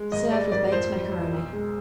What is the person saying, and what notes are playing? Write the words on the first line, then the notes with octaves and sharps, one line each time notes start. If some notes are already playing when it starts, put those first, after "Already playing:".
Serve with baked macaroni.
Already playing: G#3
G#1 D#5
G3 D5
G#1 D5
F2 C5
G3
F2
B1
G#3